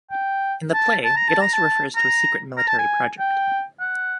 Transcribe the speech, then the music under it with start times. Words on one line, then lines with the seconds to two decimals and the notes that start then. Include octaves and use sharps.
In the play, it also refers to a secret military project.
0.11 G5
0.74 A5
1.04 A5
1.16 A#5
1.29 A5
1.42 A#5
1.53 A5
1.96 A#5
2.58 A#5
2.68 A5
2.79 G#5
3.19 G5
3.80 F#5